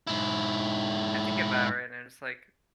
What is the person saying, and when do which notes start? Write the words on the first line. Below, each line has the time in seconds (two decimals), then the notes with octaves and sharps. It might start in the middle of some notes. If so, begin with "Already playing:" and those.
I think about it right now, and it's, like,
0.07 G#2 E4